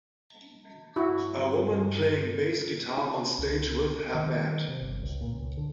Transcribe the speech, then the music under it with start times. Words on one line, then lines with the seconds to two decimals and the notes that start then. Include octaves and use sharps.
A woman playing bass guitar on stage with her band.
0.96 G2 E4 F#4
2.97 C#4
3.38 C#2
4.15 D#3
4.68 C3
4.81 G1
5.03 C#2
5.21 A#2
5.33 C#2
5.57 D3